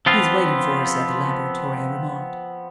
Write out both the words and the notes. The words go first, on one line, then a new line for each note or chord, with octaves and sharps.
"He's waiting for us at the laboratory," I remarked.
F3 B3 C4 F4